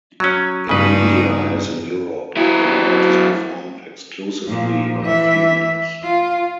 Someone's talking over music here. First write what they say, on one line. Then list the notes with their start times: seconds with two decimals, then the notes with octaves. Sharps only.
In India, as in Europe, the rite is performed exclusively by females.
0.20 F#3 C#4
0.69 G2 C#3 D4 D#4 B4
2.37 F#3 E4
4.46 A#2 F3
5.04 E3 E5
6.03 F4